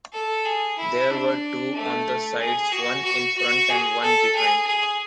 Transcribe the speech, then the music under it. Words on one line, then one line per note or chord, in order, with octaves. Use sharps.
There were two on the sides, one in front and one behind.
A4
G#4
E4
D4
A3
G#4
F#4
F#4
F#4
G#4
A4
G#4
G#4